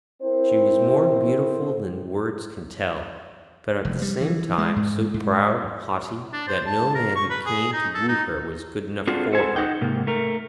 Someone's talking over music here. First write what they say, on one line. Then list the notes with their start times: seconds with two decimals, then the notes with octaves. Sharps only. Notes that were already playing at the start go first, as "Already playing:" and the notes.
She was more beautiful than words can tell, but at the same time so proud and haughty that no man who came to woo her was good enough for her.
0.22 C4 E4 A#4 C5
3.85 F1
4.02 G3
4.21 E3
4.58 G#3
4.76 G#2
5.14 G#2
6.33 D4
6.47 C5
6.66 A5
6.95 A#4
7.15 C#6
7.30 B4
7.46 G#4
7.73 D#4
7.95 A4
8.08 D#4
9.07 C4 D4 F4 F#4 G#4 A4
9.33 A4 C5 F#5 G#5
9.56 D#4 F#5 G5
9.81 G#2 C3 A#3
10.07 A3 A#4